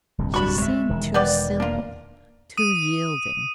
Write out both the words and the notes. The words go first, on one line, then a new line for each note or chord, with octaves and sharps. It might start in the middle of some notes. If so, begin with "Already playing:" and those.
She seemed too simple, too yielding.
D1 C2 G2
G3 D4 F#4 B5 C#6
G#3 C#5 E5
E1 D#3
G3 B3 D5
A#3 D4 F4
D#6 D#7